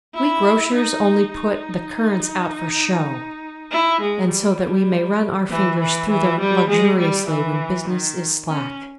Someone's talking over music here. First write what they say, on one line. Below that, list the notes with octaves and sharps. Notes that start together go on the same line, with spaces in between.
We grocers only put the currants out for show, and so that we may run our fingers through them luxuriously when business is slack.
E4
D#4
D#4
E4
G#3
G3
E3
E3
E3
G3
G#3
G3
E3
D#3
C#4